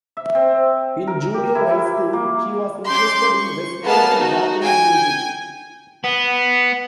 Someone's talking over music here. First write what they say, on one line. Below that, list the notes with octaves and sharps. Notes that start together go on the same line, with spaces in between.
In junior high school, she was interested in Western and Japanese music.
E5
C4
A#4
G4
E4
E4
A#3
C#4 C6 D6 G6
C#6
A#3 B3 G#4 D#5 A5 F6
D#4 F#4
G5 G#5
B3